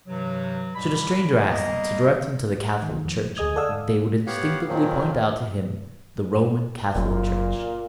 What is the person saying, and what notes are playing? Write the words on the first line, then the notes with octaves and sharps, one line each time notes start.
Should a stranger ask them to direct him to the Catholic Church they would instinctively point out to him the Roman Catholic Church.
G2 C3 E3 F#3
G#2 B2 G3 B5
G3 A#3 B3 D#5
D#3
F2
D2 G#4 D#5 D#6 G#6
A4 D5 F5 F#5 D#6 E6
G#2
B3 G4 C#5 F5 F#5
F2 A#2 D#3 F3 F#3
F#1 F#2 A#2 A#3